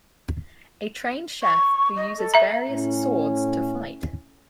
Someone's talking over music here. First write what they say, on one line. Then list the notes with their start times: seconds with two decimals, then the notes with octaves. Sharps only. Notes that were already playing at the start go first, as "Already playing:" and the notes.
A trained chef who uses various swords to fight.
1.43 C#6
1.96 D#5
2.18 A4
2.34 E5 A#5
2.69 A2 C#4